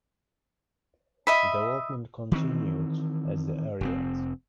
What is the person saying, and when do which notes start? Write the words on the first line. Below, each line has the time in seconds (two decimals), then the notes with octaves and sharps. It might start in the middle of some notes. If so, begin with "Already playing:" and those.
Development continued as the Ariete.
1.27 D#5 E5 B5
2.32 D#3 E3 C4
3.81 F1 B2 C4